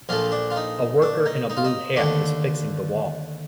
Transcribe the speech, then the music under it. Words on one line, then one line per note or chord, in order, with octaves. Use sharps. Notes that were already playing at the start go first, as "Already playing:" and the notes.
A worker in a blue hat is fixing the wall.
A#1 A#2 F3 A3 F4
D4
F4
D#4
D4
D#4
D#4
F4
D#4
D#2 D3 A3 D4